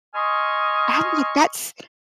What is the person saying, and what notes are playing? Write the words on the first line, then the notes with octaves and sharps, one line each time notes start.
I'm like "That's
D#5 G#5 C6 C#6 D#6 F6